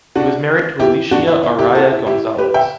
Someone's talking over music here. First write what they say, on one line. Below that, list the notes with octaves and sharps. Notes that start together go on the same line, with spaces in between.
He was married to "Alicia Araya González".
D4 F#4
E4 G4
D4 F#4
E4
E4
E4 G4
F#4 A4
E4
E4 G4
G4 B4
E5 G5